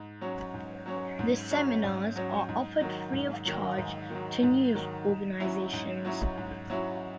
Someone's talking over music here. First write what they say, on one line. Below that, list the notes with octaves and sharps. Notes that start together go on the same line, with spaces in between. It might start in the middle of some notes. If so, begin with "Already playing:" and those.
The seminars are offered free of charge to news organizations.
Already playing: G#2
F#3 C#4
G#2
F#3 C#4
G#2
F#3 C#4
G#2
F#3 C#4
G#2
D#3 F#3
G#2
D#3 F#3
G#2
D#3 F#3
G#2
D#3 F#3
G#2
F#3 C#4 E4
G#2
F#3 C#4 E4
G#2
F#3 C#4 E4